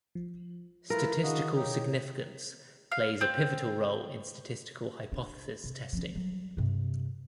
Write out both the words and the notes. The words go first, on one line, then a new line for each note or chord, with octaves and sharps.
Statistical significance plays a pivotal role in statistical hypothesis testing.
F3
A3 E4 F4 A#4 B4
D#3 D4 E4 F#4 G#4 D#5 F5
B2 D#4 G4 C#5
F5
C4
D4
C3
F3 C#4
F#3 G3
G2 C3